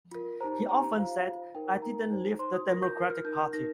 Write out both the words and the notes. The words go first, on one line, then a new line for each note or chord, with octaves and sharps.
He often said, I didn't leave the Democratic Party.
F4 A#4
D#4 G4 C5 A#5
D#4 G4 C5 A#5
A#5
F4 C5 F5
F4 C5
D#4 A#4 G5
D#4 A#4 A#5
D#4 C5
D#4 C5 C6
D#6
F4 A#4 A#6
G6
F4 A#4
F6
D#4 A#4 G6
D#4 A#4 A#6